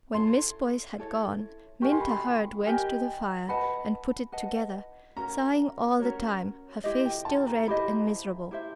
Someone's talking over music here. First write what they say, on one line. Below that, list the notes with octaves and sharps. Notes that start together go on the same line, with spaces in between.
When Miss Boyce had gone, Minta Hurd went to the fire and put it together, sighing all the time, her face still red and miserable.
E4 A4 C#5 C6
E4 A4 C#5
G4 A#4 D#5 G#5 C#6
C6
B5
C6
G4 A#4 D#5 G#5
B4 D#5 F#5 A5 B5
B4 D#5 F#5 A5
C#4 F#4 A#4 C#5 A#5
C#4 F#4 A#4 C#5
E4 G4 C5 D#5
G5
A5
A5
A#5
E4 G4 C5 D#5 B5
E4 G4 C5 E5